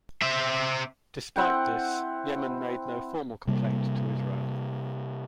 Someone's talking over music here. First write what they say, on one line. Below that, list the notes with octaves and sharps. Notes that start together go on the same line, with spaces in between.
Despite this, Yemen made no formal complaint to Israel.
C4 E5
C4 E4 F#5 G5
C3 G3 A#3